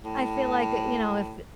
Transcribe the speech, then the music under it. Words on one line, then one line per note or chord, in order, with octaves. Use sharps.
I feel like, you know, if
A2